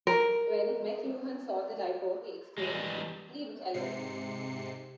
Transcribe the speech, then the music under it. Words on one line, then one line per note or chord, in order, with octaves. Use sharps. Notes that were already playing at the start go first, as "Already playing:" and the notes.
When McLuhan saw the typo he exclaimed, 'Leave it alone!
A#4
E3 G3 G#3
G#2 C3 C7 C#7